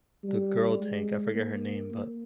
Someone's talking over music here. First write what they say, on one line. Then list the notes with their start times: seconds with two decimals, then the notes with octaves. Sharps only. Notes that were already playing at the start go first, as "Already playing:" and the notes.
the girl tank, I forget her name, but,
0.23 G3
0.79 G#3
1.34 A#3
1.91 A#3